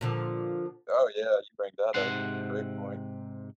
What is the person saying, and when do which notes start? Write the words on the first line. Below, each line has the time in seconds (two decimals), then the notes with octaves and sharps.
Oh, yeah, you bring that up. Great point.
0.01 A#2 D3 F3
1.94 G#2 C3 F#5 C6